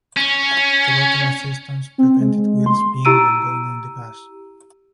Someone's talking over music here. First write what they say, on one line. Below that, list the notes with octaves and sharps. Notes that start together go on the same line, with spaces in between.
"Throttle assistance" prevented wheel spin when going on the gas.
C#4
C4
G#3
C6
E4 G4 A#5 E6 D7 D#7